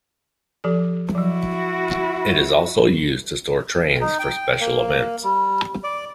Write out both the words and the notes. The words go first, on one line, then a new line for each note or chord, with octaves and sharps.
It is also used to store trains for special events.
F3 G4 A4
F3 F#3 E4 F#4
D#4
G5
A#3
G3
D5